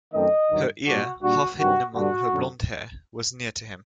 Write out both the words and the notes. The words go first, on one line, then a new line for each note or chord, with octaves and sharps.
Her ear, half-hidden among her blonde hair, was near to him.
F#2 D#3 A3 C4 D#5
G2 D#3 F#3
A#2 G3 D4 F#4
A#2 G3 D4 F#4
G2 D#3 F#3 C4 F#4
G2 D3 G3 D4 F#4
F#2 D3 F#3